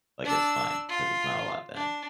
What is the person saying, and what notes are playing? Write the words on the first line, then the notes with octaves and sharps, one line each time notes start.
like, it's fine because it's not a lot then.
D4 E6
F4
D4